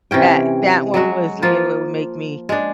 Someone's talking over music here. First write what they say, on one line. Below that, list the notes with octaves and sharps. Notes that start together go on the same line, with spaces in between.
That that one was you w would make me
C3 E3 C#4 G5
F#3 G#3 F#4
F3 A#3 F4
G#3 D4